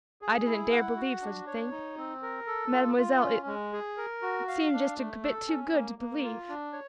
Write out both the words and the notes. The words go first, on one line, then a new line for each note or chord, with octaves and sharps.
I didn't dare believe such a thing, Mademoiselle--it seemed just a bit too good to believe.
G#4
E4
F#5
F#4
D4
C#5
D#4
C4
A#4
A4
F4
F4
C#4
G#3
G#4
A#4
F#4
F5
D4
A3
A4
C#4
A#3
A#3
F4
D4
C#5